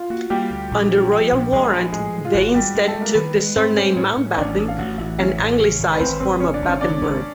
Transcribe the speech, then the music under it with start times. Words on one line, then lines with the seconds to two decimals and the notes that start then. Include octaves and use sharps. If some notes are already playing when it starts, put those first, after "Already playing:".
Under royal warrant, they instead took the surname "Mountbatten", an Anglicised form of Battenberg.
Already playing: F4
0.10 A#3 F#4
0.30 G3 A#3 G4
0.51 D2
0.71 A#1
0.91 F3
1.11 F3
1.32 A#1
1.52 A#1 G#3 G#4
1.73 F3
1.93 A2 G#3 G#4
2.14 A2
2.25 F4
2.34 G#1 F#4
2.54 G#2 G3 G4
2.75 G#3
2.88 A3 A4
2.95 G#3
3.01 A#3 A#4
3.15 D#3 B3 B4
3.35 G#3
3.56 G#2 C4 C5
3.76 G#3 C#4 C#5
3.96 A2 C#4 C#5
4.17 A2
4.37 A1 D4 D5
4.57 A1
4.68 F5
4.78 A1 F#4 F#5
4.98 A1 E4 E5
5.18 A2 C#4 C#5
5.39 A1
5.60 C#3
5.80 G#1
5.92 B4
6.00 G#1 C4 C5
6.20 G#1 C4 C5
6.40 C#3 C#4 C#5
6.54 D4 D5
6.62 G#1
6.68 C#4 C#5
6.81 C#3 D4 D5
7.01 G#1